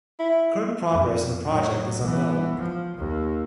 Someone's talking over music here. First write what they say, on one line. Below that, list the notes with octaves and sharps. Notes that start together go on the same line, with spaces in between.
Current progress on the project is unknown.
E4
F2
A2 F#3
E3 B3
F3
D#2